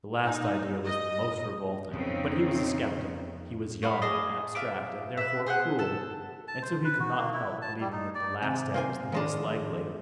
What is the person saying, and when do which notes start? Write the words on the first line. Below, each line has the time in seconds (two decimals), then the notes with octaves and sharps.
The last idea was the most revolting, but he was a sceptic, he was young, abstract, and therefore cruel, and so he could not help believing that the last end was the most likely.
0.22 D#4
0.85 D#5
1.93 F2 C#3 B3 C4 D#4
3.83 F#4 F5 B5
4.02 G#4 D5 D#5 A5
4.55 F4 E5 D6
5.17 B4 E5
5.47 G#4 C5 F5 F#5
5.79 A4 A5
6.48 A5
6.62 C5
6.85 B4
7.00 F#4
7.18 A#3
7.33 E4
7.62 A5
7.80 G3
7.92 D#4
8.15 D5
8.42 C3 D#3
8.74 A#3 C5 G#5
9.12 D#3 F3 G#3 D4 D#5